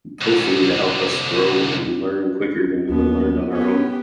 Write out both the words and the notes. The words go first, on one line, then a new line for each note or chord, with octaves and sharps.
hopefully to help us grow and learn quicker than we would've learned on our own,
C2 D3
D#2 B3
B3 C#4 G4